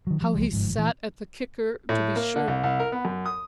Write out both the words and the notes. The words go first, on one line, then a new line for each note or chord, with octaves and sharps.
How he sat the kicker to be sure!
D#3 F#3
F3 G3
C#2 F3 F#3 G#3
G1 G#2 F3
A#2 E3
A2
A#3
D3
C2
C2
A#4
B3
F#2
D#6